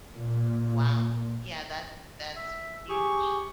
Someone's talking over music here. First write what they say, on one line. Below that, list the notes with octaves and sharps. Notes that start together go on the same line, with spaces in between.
Wow. Yeah. That's that's huge.
A#2
E5
G4 G#4 C#6